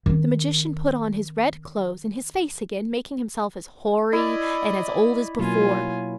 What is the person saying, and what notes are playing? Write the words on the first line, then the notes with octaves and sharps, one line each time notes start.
The magician put on his red clothes and his face again, making himself as hoary and as old as before.
D#3 C4
E4 D5 D#5
B2 F#3 A#3 F4 G#5